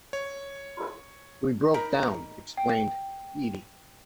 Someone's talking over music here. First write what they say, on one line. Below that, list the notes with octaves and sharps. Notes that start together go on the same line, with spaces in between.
"We broke down," explained Edie.
C#5
D#4 A#4 A#5 B5
G5